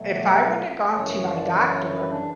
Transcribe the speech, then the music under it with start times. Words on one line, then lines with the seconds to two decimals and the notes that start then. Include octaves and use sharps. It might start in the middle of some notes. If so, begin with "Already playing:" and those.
if I wouldn't have gone to my doctor,
Already playing: B2 F#3 A3
0.16 G4
0.93 F#2 C#3 E3 C#5
1.32 D5
1.71 C#5
1.90 B4
2.10 D4